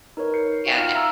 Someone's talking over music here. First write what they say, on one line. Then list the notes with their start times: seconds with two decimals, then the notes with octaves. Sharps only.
Yea, they
0.17 D#4 A#4 B4 C#5
0.34 G6 C7 C#7
0.65 F#4 F5 G5
0.78 D#4 F4 F6 C7 C#7
0.94 E5 A#5 E6